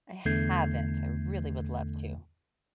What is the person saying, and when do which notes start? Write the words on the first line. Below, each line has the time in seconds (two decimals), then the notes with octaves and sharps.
I haven't. I really would love to.
0.25 E2 D3 A3 G6 G#6 C7